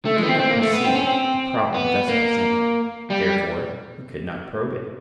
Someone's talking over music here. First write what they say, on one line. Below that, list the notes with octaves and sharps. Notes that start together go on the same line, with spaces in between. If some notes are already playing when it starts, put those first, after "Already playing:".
He did not perceive the problem thus presented; therefore he could not probe it.
A3
G#3
B3
C4
C4
A#3
A3
B3
C4
C#4
C4
B3
A#3
G3